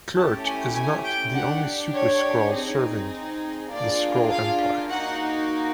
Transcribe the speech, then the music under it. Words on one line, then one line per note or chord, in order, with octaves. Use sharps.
Kl'rt is not the only Super-Skrull serving the Skrull Empire.
A3 C#4 E4 G4 A5
G#5
G#5
G5
D4 G4 F#5
C#5
C4 D#4 G#4
A#3 D4 F4 G#4 D5
F5
A#3 D#4 F#4 F#5